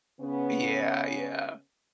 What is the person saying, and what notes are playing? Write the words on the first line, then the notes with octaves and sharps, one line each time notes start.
Yeah, yeah.
C#3 B3 C#4